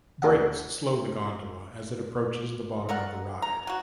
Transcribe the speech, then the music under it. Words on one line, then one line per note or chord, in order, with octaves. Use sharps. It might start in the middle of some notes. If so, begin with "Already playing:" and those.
Brakes slow the gondola as it approaches the bottom of the ride.
D2 D#3 D4 D#5 F#5
A4 A#4 D5 F#5
A#5
F#3 F#4